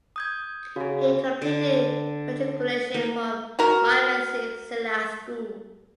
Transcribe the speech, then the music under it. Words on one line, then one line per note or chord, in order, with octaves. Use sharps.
He completed matriculation from Mymensingh Zilla School.
D#6 G6 G#6
C#3 F#4 G#4
D3
A#3
F#4 A#4